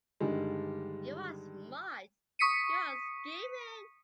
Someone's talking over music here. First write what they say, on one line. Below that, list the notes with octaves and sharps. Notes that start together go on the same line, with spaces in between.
You are smart, you are scheming!
G2 D3 D#3 G3 G#3
C#6 D#6 B6 C#7 D#7